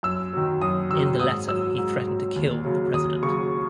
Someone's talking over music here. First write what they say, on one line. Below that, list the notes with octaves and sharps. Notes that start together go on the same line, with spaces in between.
In the letter, he threatened to kill the President.
F#2 E6
D#3 F#3
F#2 D#6
D#3 F#3 E6
G#2 D#6
F#3 E6
G#2
F#3
D#2
C#3 F#3
D#2 D#6
C#3 F#3 C#6